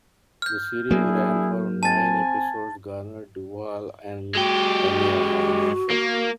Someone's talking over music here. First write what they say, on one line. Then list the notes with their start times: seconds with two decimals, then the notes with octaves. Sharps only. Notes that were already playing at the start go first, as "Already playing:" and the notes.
The series ran for nine episodes garnered Duvall an Emmy nomination.
0.42 F6 G6
0.91 F#3 A#3 D4 E4 G#4
1.83 C4 G#5 A5 A6
4.35 G#3 F#4 G4
5.91 A#3